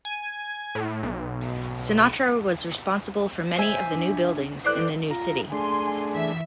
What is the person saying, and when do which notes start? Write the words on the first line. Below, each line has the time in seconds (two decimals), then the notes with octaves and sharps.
Sinatra was responsible for many of the new buildings in the new city.
0.05 G#5
0.75 A2
1.03 B1
3.57 C5 E5 G#5
3.91 D4
4.64 E4 A4 B4 C5 D5 F#6
5.11 F4 A#5
5.52 A3 D4 G#4 G#5 C6
6.11 E3 E5